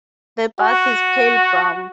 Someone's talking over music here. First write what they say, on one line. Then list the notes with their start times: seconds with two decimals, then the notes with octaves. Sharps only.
The bark is pale brown.
0.59 F#4